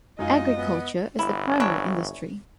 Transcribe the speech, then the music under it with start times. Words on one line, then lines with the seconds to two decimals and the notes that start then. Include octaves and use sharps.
Agriculture is the primary industry.
0.19 F#2 G#3 D#4 F4 D#5
0.56 B3
1.19 G1 E4
1.60 E3 D4 C#5